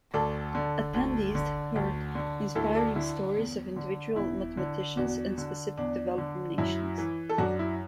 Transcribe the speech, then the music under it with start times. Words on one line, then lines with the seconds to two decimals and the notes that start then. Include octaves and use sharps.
Attendees heard inspiring stories of individual mathematicians and specific developing nations.
0.14 D2 A4 D5
0.55 D3
0.94 D2
1.35 D3
1.76 D2
2.15 D3
2.55 D2 E4 A4
2.75 A4 D5
2.96 D3 E4
3.36 E2
3.76 D3
4.16 E2 E4
4.57 D3
4.97 E2 D4 F#4
5.38 D3
5.77 E2 D4
6.18 D3
6.58 F#2 E4
6.98 E3
7.29 A4
7.38 F#2 D4 F#4
7.59 E4